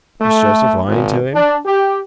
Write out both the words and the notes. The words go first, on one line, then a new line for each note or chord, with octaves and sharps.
Was Joseph lying to him?
A3
G#1
D4
G4